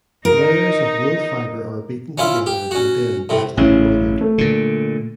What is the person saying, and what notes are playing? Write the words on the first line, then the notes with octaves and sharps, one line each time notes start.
Layers of wool fibre are beaten together and then brightly embroidered.
D#4 A#4
C#4 E4 F4 E5
G4
C#4 F#4
A2 C3
A1 C#3 C#4 E4
A3
A#2 D3